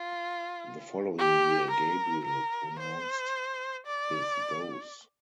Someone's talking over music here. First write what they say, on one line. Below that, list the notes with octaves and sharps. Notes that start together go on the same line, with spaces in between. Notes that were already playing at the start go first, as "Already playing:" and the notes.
The following year Gabriel pronounced his vows.
Already playing: F4
G4
A#4
A#4
C5
D5